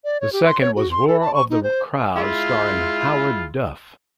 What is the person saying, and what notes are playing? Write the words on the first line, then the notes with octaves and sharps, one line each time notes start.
The second was Roar of the Crowd, starring Howard Duff.
D5
C#5
G4
C6
C#5
F#4
C6
A4
A5
C#6
D#4
C5
G#3 E4 F4